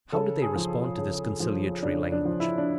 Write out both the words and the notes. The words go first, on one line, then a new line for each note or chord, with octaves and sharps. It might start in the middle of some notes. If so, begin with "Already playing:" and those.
How did they respond to this conciliatory language?
C#3 A4
G#4
F3
C#3
F3
C#3 D4
D4
F3
E4
D4